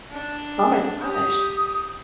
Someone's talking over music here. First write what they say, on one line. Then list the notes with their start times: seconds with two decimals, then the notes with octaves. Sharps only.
Oh my gosh.
0.11 D4
1.02 G4 D#6